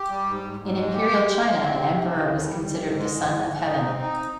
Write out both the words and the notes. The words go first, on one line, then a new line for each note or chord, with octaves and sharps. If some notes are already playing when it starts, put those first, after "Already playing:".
In Imperial China, an emperor was considered the Son of Heaven.
Already playing: G4
G3
G#2
G#2
G#2
G#3
G4
G#3
G#3
C3
C4
C3
C3
C#3
D#2
G3
G3
G#2
G#3
G#2
G#2
G#2
D#4
C4
D#4